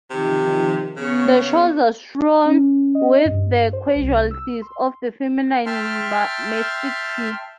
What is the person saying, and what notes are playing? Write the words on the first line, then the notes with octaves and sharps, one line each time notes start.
The shores are strewn with the casualties of the feminine mystique.
C3 D#3 F3
C#3 B3 C#5 C#6
C#4
D#5
G2
C5
C2
E6
C6
E5 G5 A5 C6 F6